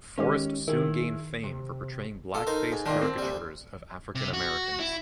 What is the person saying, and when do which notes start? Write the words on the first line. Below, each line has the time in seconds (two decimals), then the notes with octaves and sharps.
Forrest soon gained fame for portraying blackface caricatures of African Americans.
0.18 D#3 G#3 C#4 G4
0.68 D#3 E4 G#4
1.44 C3
2.34 F4 A4
2.47 D#4 A#4 C5
2.72 G#2
2.86 A#2 D#3 D4 C6
3.01 C4
3.18 D2 G3
4.15 C3
4.33 F#4
4.80 E4